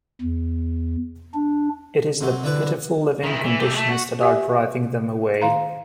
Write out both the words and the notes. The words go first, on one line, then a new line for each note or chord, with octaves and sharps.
It is the pitiful living conditions that are driving them away.
E2
D4
C3 F#3
D3 E4 B4
D#3 E4
E3
A3 G4
G#3 A3
F#4
G4 E5 G#5
D#3 F5 A#5